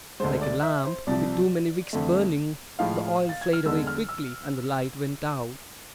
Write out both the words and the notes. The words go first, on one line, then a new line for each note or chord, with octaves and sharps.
Like a lamp with too many wicks burning, the oil flared away quickly, and the light went out.
D2 D3 G#3 C5
D5
E5
C5
C2 C3 F3 D5
F2 D3 A3
A2 F3 G#3 F5
A6
G#6
F6
E2 D3 G#3 E6
F6
E6